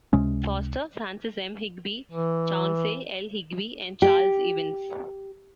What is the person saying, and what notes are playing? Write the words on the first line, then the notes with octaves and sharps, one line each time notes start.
Foster, Francis M. Higbee, Chauncey L. Higbee and Charles Ivins.
C#2 C3 G#3 C#4
E3
G4